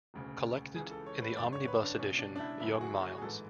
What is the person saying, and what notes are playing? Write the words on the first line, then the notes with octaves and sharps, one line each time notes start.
Collected in the omnibus edition "Young Miles".
E1 D2 C#3
C#2 C#3 E3 G#4
A4
C#5
B4
G#1 F#2 D3 D5
C#5
B4
D4
C#2 B2 C#4
D4
D4
E4
F#1 F#2 D3 E4
G#4
F#4
F#4
G#4
A1 G#2 E3 A4